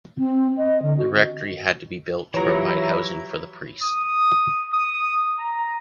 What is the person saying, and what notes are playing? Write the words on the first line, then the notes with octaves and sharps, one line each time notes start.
The rectory had to be built to provide housing for the priest.
C4
D#5
D3
F#4
E3 F#3 E4 F4 G4 B4 C#5 A#5
D#6
D#6
A#5